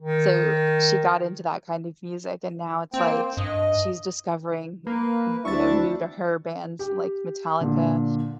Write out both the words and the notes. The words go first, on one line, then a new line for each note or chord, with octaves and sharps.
so she got into that kind of music, and now it's like sh she's discovering, you know, new to her bands like Metallica,
D#3
A#3 C4 C5 G5
G2 D#5
A#3 B4
D2 C4 D4 E4 E5 C#6 A6
G4
A#2 D3